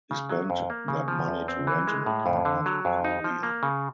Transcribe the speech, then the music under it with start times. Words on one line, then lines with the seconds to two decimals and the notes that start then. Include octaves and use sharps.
He spent that money to rent an apartment in Korea.
0.11 C#3
0.30 F#3
0.50 F2
0.70 A#3
0.88 C#3
1.08 F3
1.28 E2
1.48 C4
1.67 E3
1.87 G#3
2.06 A2
2.26 F2
2.45 D3
2.66 F#3
2.85 F2
3.05 D#4
3.24 F3
3.43 A#3
3.63 C#3